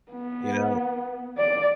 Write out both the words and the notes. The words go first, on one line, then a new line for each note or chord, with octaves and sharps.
you know.
B3
D5